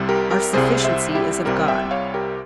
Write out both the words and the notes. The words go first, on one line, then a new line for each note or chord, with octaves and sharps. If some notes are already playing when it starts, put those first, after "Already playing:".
"Our sufficiency is of God!"
Already playing: C2 C3 G3
G4 A#4
G4 A#4
C2 C3 G3 G#4 C5
C5 E5
E4 G4
C2 C3 G3 G4 A#4
E5 G5
C#5 F5
G4 A#4